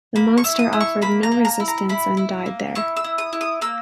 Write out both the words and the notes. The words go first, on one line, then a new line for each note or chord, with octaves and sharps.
The monster offered no resistance and died there.
A#3 B5
C#6
E4
D#6
E4
C#6
A#3 B5
A#5
A#3
A#5
E4
A#5
E4 B5
E4
A#3
E4 C#6
E6
E4
D#6
E4
D#6
A#3 E6